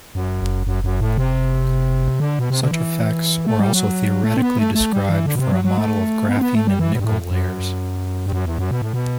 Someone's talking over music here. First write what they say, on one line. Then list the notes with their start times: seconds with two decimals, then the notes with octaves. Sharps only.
Such effects were also theoretically described for a model of graphene and nickel layers.
0.15 F#2
0.67 F#2
0.84 F#2
1.01 A2
1.18 C3
2.20 D3
2.39 B2
2.50 C3
2.61 D3
2.71 E3
3.46 A3
3.60 G3
3.73 F#3
4.24 A3
4.37 C4
4.42 B3
4.58 A3
4.75 A3
4.93 G3
5.09 E3
5.26 D3
5.35 B2
5.39 C3
5.52 F#3
5.64 F#3
5.78 A3
6.29 B3
6.37 C4
6.41 B3
6.55 A3
6.67 G3
6.79 E3
6.93 B2
7.00 G2
7.05 A2
7.31 F#2
8.26 G2
8.33 F#2
8.46 E2
8.58 F#2
8.71 B2
8.82 A2
8.93 B2